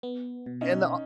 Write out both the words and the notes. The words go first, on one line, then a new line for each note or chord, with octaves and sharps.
and, uh o
B3
B2
C#4 D#4